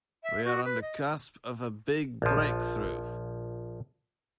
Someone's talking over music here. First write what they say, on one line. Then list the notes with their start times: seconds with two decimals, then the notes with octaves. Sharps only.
We are on the cusp of a big breakthrough.
0.23 E5
0.45 F#4
0.65 B4
0.82 D#5
2.22 A#1 F3